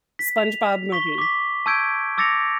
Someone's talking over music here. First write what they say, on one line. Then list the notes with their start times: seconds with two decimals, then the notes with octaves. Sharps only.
SpongeBob movie.
0.19 B6
0.38 F7
0.92 C#6 B6 G7
1.18 D6 B6
1.66 A5 C#6 E6 G6 G#6 D7
2.18 D6 E6 A6 A#6 C#7 F7